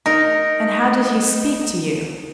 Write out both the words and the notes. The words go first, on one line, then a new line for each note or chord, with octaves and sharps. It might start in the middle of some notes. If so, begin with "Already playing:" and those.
'And how did he speak to you?'
D#4 A#4